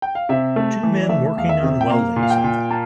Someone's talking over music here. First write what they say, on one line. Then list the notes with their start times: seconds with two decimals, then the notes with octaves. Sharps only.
Two men working on welding something.
0.02 G5
0.15 F5
0.29 C3 E5
0.56 A3
0.83 E3
1.02 D5
1.09 A3 E5
1.37 E2 F5
1.49 E5
1.63 C3
1.81 G5
1.90 A#3 F5
2.16 A#2
2.23 F5
2.30 G5
2.44 A#2
2.70 A#3 A5